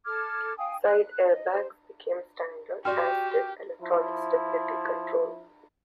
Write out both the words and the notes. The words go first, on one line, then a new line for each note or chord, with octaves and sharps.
Side airbags became standard, as did electronic stability control.
A4 D6 F6 G#6
F5 G5 G#5 D#6
F#6
D#5
C5
F#4 G4 D5 G5 C6 F6
F3 E4